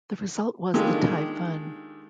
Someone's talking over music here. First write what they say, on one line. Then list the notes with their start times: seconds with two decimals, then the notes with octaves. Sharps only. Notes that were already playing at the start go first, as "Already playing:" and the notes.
The result was the Taifun.
0.74 D#3 G#3 D4 F4 G4 A4